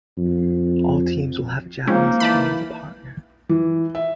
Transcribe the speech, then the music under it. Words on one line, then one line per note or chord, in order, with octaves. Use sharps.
All teams will have a Japanese team as a partner.
F2
F3 G#3 A#3 C4 C#4 D#4
E3 D5 A5 B5
E3
E5